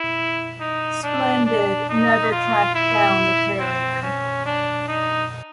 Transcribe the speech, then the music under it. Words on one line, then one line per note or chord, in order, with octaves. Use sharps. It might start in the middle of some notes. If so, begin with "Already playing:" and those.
"Splendid" never tracked down the carrier.
Already playing: E4
D#4
D4
D4
D#4
F4
E4
C4
C#4
D4
D#4